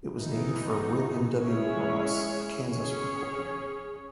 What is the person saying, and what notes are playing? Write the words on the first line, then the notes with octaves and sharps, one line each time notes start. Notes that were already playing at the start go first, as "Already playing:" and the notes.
It was named for William W. Ross, a Kansas reporter.
E3 B3 D#4
G#3 C#4 E4 G#4 C#5
C#4 G#4 C#5